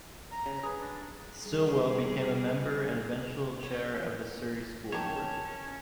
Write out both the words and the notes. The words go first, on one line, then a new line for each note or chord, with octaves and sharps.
Stilwell became a member and eventual chair of the Surrey School Board.
A#5
C#3
G#4 B4
D4
G3 G#4
C#4
D#3 C#4 G4 C#5 A5
C#4